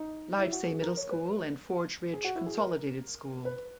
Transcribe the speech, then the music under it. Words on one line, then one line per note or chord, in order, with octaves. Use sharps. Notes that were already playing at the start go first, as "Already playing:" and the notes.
Livesay Middle School and Forge Ridge Consolidated School.
Already playing: D#4
E4
F#4
G#4
A#4
C#5
B4
G#4
F#4
E4
G#4
A#4
B4